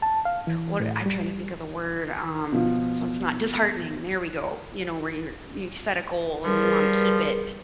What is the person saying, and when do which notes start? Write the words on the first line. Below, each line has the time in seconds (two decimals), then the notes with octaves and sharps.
what I'm trying to think of the word, um- so it's not disheartening- there we go. You know, where you're you set a goal, and you wanna keep it,
0.02 A5
0.25 F5
0.47 E3
0.80 A2
1.06 G3
2.52 B2 F3
6.44 F3 G3 G#4 A#4 B4